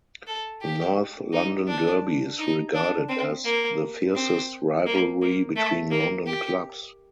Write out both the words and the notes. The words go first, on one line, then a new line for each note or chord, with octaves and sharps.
The North London Derby is regarded as the fiercest rivalry between London clubs.
A4
G4
D#4
D4
D#4
D4
C4
A#3
C4
A#3
A#3
A3
A#3
G4